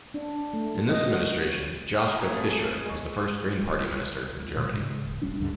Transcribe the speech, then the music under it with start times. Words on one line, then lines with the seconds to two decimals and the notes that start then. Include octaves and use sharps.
In this administration, Joschka Fischer was the first green party minister in Germany.
0.14 D4
0.53 A3
0.89 D#5
1.07 F#4
1.92 F6
2.11 G#4 A#5
2.31 F2 A3
2.86 G#3 C#6
4.56 A#2 D3 G#3
4.72 G#2 C#3 G#3
5.04 D1
5.22 E1 G3 C#4 D4
5.40 D#2 G#2 D3 G3